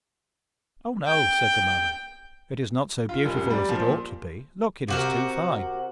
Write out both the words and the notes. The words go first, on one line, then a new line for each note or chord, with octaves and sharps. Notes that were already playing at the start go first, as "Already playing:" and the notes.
"Oh, no," said the mother; "it is not so beautiful as it ought to be. Look, it is too fine."
G5
F4
F1
F1
G3
F3
A#2
C3 F#4 A#4